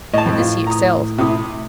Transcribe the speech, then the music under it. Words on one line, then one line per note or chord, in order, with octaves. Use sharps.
In this he excelled.
A2 D#5 A5
F2
F4
A#5 D#6
C3 E4 D#6